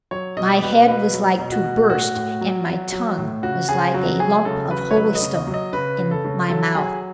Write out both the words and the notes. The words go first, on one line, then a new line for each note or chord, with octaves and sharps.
My head was like to burst, and my tongue was like a lump of holystone in my mouth.
F#3 C#5
B2 D#5
B2 B4
B2 B4
F#3
B2
F#4
B2
A2 F#4
A2
F#3
F#3
F#3
A2
C#3 F#4
C#3 G#4
F#3 F#4
F#3 G#4
C#3 A4
F#3 B4
C#5
F#3 B4
D#5
C#3
D#5
F#3
D#5
C#3 B4
C#3
A4
C#3
F#3 A4
F#3 G#4